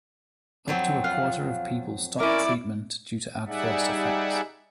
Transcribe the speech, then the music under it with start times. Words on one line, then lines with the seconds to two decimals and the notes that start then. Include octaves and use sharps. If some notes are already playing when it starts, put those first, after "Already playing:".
Up to a quarter of people stop treatment due to adverse effects.
0.68 F2 F#3 C4
1.04 F4 F5 F#5
2.20 C#4 E4 A#4 D5 D6
3.47 G3 D#4 G#4 D5 E5 F#5